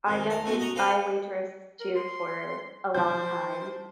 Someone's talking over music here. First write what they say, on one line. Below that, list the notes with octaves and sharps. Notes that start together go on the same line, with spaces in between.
I definitely I waitress too for a long time,
F2 G#2 D#3
A#4 A5
G#3 A3 B3 C#4 F#4
F#4 D#5 F#5 A#5 C#6
C4 F4 A4 B4 C5
A#4
C6
F3 C5 G6